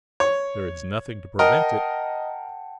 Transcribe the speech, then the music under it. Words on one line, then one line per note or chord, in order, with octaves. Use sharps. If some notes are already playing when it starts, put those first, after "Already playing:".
"There is nothing to prevent it."
C#5
A#4 D#5 F#5 G5 A5